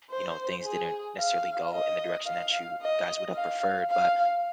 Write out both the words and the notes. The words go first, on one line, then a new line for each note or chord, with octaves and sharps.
you know, things didn't necessarily go in the direction that you guys would have preferred, but,
C5
G#4
F5
D#5
F5
D#5
F5
F5